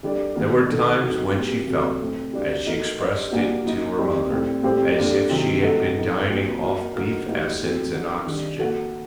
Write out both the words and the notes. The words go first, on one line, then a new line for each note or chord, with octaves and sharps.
There were times when she felt, as she expressed it to her mother, as if she had been dining off beef essence and oxygen.
D3 G3 D4 G4 D5
D#3 G3 A#3 F#4 A#4
D#3 A3 D#4 A4
F#3 C4 D#4 F#4 A4
A#2 F#3 C4 G4 A#4
C3 F#3 A3
A2 A3 C4
G3 D4 F#4 A#4
A3 D#4 F#4 A#4 D#5
G3 D4 G4 C5 D#5
A#2 G3 A#3 D4 F#4
F#3 A#3 D#4
G3 C4 D#4
A2 G3 C4 G4
A2 G3 C4 G4 C5
D3 G3 A#3 D4
C3 D#3 F#3 C4
A3 C4 F#4 A4 D#5
A2 A3 D#4
A#2 F#3 C4
A#3 F#4 A#4 D#5
D3 A3 D#4 F#4 A#4
A2 G3 A#3 D#4 F#4
F#3 A3 C4 F#4
D3 F#3 C4 F#4 A#4
D#3 G3 D4
A#3 F#4 A4